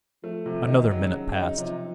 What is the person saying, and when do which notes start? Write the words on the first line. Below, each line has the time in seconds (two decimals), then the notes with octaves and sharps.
Another minute passed.
0.23 F3 A3
0.45 C3 F3
0.61 F3
0.68 D#3 D#4
0.90 C#3 F#3
1.14 F#3
1.36 D#4
1.58 C3 F3